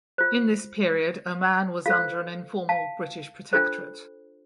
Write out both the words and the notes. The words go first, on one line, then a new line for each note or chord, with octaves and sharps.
In this period Oman was under an informal British protectorate.
F4 C5
F4 A4 C5 F5
F5 A5
D4 F4 A4 C5